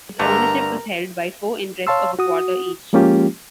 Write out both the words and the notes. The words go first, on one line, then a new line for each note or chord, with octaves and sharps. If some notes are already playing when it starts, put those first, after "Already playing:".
Its ownership was held by four interests of a quarter each.
G2 D3 A3 A#4 A#5
C#5 F5 A5 C6 E6
F#4 D#6
F3 G#3 A#3 C#4 F4 G4